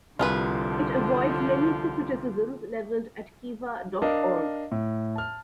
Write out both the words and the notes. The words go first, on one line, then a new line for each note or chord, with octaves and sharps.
It avoids many of the criticisms levelled at Kiva dot org.
C2 D3 F3 F4 G#4 B4
D4 A#4 D#5 F5
A2
A5 F6